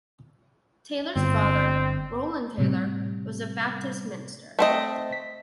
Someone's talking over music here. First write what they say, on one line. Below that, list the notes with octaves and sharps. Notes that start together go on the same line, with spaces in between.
Taylor's father, Roland Taylor, was a Baptist minister.
G1 C4
A2 C3 G3
A3 C4 D#5
B6